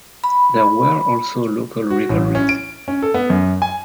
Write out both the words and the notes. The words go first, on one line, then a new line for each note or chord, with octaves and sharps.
There were also local rivalries.
B5
F#4
A1
C#4
D7
C#4
A4
B3
F#2
G#5